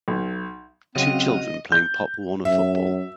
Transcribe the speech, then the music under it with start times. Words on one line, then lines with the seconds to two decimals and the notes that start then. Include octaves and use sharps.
Two children playing pop warner football.
0.08 B1
0.96 C#3 F#3 C4 F#4 D#5 F5 D#7
1.72 G6
2.45 F#2 E5